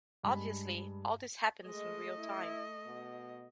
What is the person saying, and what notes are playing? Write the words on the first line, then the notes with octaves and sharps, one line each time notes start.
Obviously, all this happens in real-time.
G2 G#3 B5
G#3 A3 D#5
E4
B2